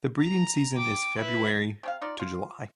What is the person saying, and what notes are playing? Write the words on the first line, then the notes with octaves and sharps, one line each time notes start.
The breeding season is February to July.
A#5
G5 D6
E4 B4
C3 C#4 F5
D#4 F4 D5
F4